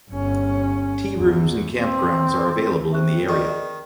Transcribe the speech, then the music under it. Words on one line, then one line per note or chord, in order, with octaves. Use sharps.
Tearooms and campgrounds are available in the area.
G1 C#4
E2
C4
C4 E5 C#6 F#6
D#3 G#4 D5 D#5